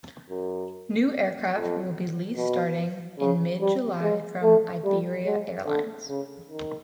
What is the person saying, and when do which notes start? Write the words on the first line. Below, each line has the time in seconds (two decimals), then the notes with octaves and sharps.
New aircraft will be leased starting in mid-July from Iberia Airlines.
0.30 F#2
1.54 F2
2.36 B2
3.19 C#3
3.60 G3
4.02 G#3
4.43 A3
4.84 G3
5.26 G#3
5.67 D3
6.08 C#3
6.49 D#3